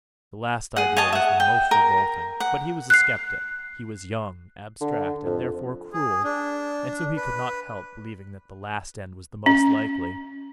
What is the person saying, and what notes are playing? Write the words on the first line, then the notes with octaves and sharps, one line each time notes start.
The last idea was the most revolting, but he was a sceptic, he was young, abstract, and therefore cruel, and so he could not help believing that the last end was the most likely.
G#4 F#5
C#5 D#5 A5 D#6
E5 F#5
G5
A#4
F#5
F#6 C7
D3
F2
G#4
D4
B4
C#4